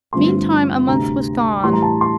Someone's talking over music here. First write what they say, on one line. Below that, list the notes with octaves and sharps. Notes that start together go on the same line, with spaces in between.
Meantime a month was gone.
G2 D3 F3 A3 C4 C6
D2 C3 G3 A#5
A2 E3 G3 C6
A#5
A5
C6